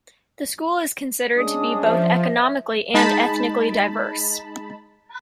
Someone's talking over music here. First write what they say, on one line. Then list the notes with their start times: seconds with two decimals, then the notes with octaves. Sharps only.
The school is considered to be both economically and ethnically diverse.
1.37 G#3 C#4 D4 D#6
1.83 F3 C5 E5 A5
2.94 G#3 D#4 A5 B5